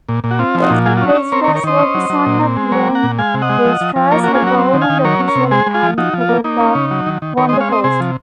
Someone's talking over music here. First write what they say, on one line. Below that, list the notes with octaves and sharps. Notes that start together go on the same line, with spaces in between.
Weierstrass was the son of Wilhelm Weierstrass, a government official, and Theodora Vonderforst.
A#2
A#2
F#4
C4 F4
F3
D#4 F#4
A#2
F#3 F4 G#4
F4
C#4
D#4 F#4
C#4
C4 A#4 C#5
A#4 C#5
D#3
A#4 C#5
D#3 C5 D#5
C#4
F#3
F#3
A#2
C4
G#3
F#3 A#4 C#5
A#3
F#5 A#5
A#2
G#3 F5 G#5
C3
D#5 F#5
G#3
F3
F3
F3
A#3 A#4 C#5
F#4 A#4
C#4
F4 G#4
F#3 F#4 A#4
C4
D#3
F5 G#5
D#3
F#3 A#4 C#5
C#4
A#4 C#5
C3
G#3 G#4 C5
G#3
F4 G#4
F3
F3 D#4 F#4
F3
F4
A#3
A#3 D#4
C#4
C#3
F#3
D#3
D#3
D#3 A#4 C#5
C5 D#5
G#3
C#5 F5
C4 C5 D#5
C3 G#4 C5
F3